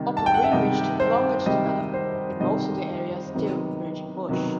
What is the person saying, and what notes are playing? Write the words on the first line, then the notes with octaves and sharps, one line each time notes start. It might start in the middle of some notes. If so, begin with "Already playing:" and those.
Upper Greenwich took longer to develop, with most of the area still virgin bush.
Already playing: C3 D#3 G3
A5
G5
F#5
E5
C3 D#3 G3 D#5
C5
C3 D#3 G3 D#5
C5
C3 D#3 G3 D#5
C3 D#3 F#3 B3
C3 D#3 F#3 B3